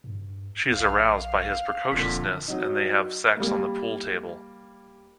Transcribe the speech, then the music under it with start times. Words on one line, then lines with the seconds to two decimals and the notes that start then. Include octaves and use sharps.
She is aroused by his precociousness, and they have sex on the pool table.
0.04 G2
0.71 A#1 F5
1.91 D1 F2 A#2 D3 B6
2.48 F#3 D#4
3.37 G3 A#3